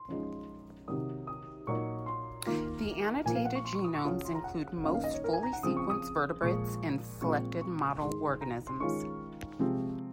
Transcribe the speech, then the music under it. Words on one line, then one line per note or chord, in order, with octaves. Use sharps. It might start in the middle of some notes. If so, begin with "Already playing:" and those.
The annotated genomes include most fully sequenced vertebrates and selected model organisms.
Already playing: C6
F#2 F3 G#3 D#4
C3 D#3 F#3 D#6
D#6
A#2 F#3 A#3 D#4 C#6
C6
D#3 A#3 F4
A#2 F3 A#3 F4 G#5
F5
F#5
C#6
C6
C#6
D#6
C#6
C#3 F#3 C#4 F4 D#6
C6
A#5
F#5
F#2 D#3 A#3 D#4 F5
F5
D#5
C#5
A#4
G#5
A#5
F#5
C#3 F3 C4 D#6
C#6
D#6
A#2 F3 G#3 C#6
A#2 F3 G#3 C4 F4 C#6
C#6
G#2 D#3 G#3 C6
A#5
C6
D#3 G#3 C#4 F4 C#6
C3 F3 G#3 C4